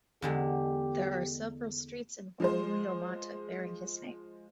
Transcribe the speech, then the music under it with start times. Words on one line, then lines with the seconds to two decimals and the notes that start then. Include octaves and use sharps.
There are several streets in Wainuiomata bearing his name.
0.22 E2 D3 G#3 G4
2.40 F3 G#3 C5